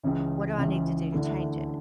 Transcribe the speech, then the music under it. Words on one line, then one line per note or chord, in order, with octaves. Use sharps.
what do I need to do to change it,
C#2 C#3 E3
C#2 C#3 E3
D2 D3 A3 E4